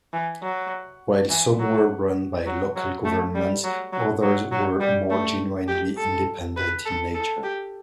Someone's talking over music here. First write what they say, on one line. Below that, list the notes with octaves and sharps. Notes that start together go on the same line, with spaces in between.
While some were run by local governments, others were more genuinely independent in nature.
E3
F#3
E3
F#3
F#3
F#3
A3
G3
F#3
F#3
F#3
F#3
G3
A3
G4
A4
B4
A4
A4
G4